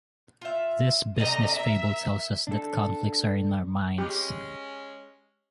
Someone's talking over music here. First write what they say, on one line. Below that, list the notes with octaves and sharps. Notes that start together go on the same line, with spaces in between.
This business fable tells us that conflicts are in our minds.
F4 E5
C3 G3 A3 D#5 A#5
A#4 E5
D4 A4
G#3 C#4 G4